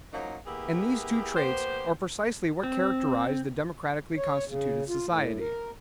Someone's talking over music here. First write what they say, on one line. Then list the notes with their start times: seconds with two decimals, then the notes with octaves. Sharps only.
And these two traits are precisely what characterize the democratically constituted society.
0.13 F3 F#3 A#3 C#4 D#4
0.47 A#3 B3 E4 G4 G#4
1.37 A#3 B3 G4 C5
2.64 C4
4.17 C#5
4.48 C#3
4.89 F4
5.07 A2
5.40 A#4